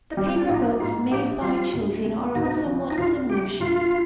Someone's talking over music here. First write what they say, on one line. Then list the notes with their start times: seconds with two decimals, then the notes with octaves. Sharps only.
The paper boats made by children are of a somewhat similar shape.
0.17 G3
0.26 C4
0.37 D4
0.48 A#1 D#4
0.80 G#2 F4
1.11 A#1 G4
1.41 G3 F4
1.73 D2
2.04 C3
2.35 D2 D#4
2.66 F3
2.91 D#4
2.98 D2 F4
3.29 C3 G4
3.60 D2 F4